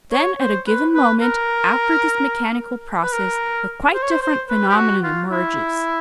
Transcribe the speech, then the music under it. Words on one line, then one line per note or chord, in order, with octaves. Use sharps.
Then at a given moment, after this mechanical process, a quite different phenomenon emerges.
C#5
C5
B4
B4
A#4
B4
A#4
C5
C#5
C5
C5
B4
G4
F#4
F4
E4